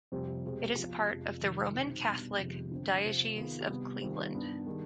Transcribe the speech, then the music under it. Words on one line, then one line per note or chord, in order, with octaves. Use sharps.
It is a part of the Roman Catholic Diocese of Cleveland.
F2 C3 G3 C4
B2 G#3 C4 G4
F3 B3 F4
F2 C3 F3 G#3
F2 C3 D#3 G3
B2 G#3 C4 D#4
B2 G3 B3 D4
F2 C3 D#3 G#3 B3
D3 F3 C4
C3 F3 C4 F4
D#3 B3 F4 G#4
C3 G3 B3
D#3 G3 C4 F4
G2 D#3 B3 D4
D#3 G3 D4 G#4